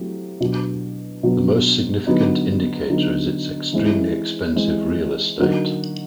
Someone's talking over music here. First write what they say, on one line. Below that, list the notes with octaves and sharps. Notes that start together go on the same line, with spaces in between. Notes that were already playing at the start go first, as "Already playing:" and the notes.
The most significant indicator is its extremely expensive real estate.
Already playing: F#3 A3 C4 E4 G4
B2 F#3 B3 D4
B2 F#3 B3 D4
D3 F#3 B3 D#4
D3 F#3 B3 D#4
E3 G#3 C4 E4
E3 G#3 C4 E4
D3 F#3 A#3 D#4 F#4